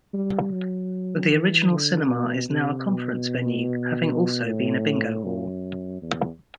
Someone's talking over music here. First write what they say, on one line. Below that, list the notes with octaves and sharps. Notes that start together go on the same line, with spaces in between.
The original cinema is now a conference venue, having also been a bingo hall.
G3
F#3
E3
D3
B2
C3
B2
A2
F#2
E2